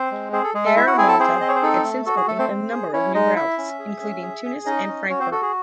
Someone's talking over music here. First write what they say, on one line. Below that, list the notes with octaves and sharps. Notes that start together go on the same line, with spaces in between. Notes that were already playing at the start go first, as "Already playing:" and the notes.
Air Malta had since opened a number of new routes, including Tunis and Frankfurt.
Already playing: C4 C5
G#3
C4 G#4 C5
A4
G#3 G#4
A4
E4 E5
F#4 F#5
C4 G#4 G#5
A4 A5
C4 G#4 C5
C4 D#5
C#5
C5
D#4 A4
A3
F#4 A4
G#4
A3 A4
C4 C5
C4
G#4
C#4 E4 C#5
G#3 D#4 D#5
E4 E5
C#4
G#4
C#4
G#4
G#4
C#4 D#4 D#5
C#4
C#4 F#4 C#5
C4 C5
F#4 A4
G#4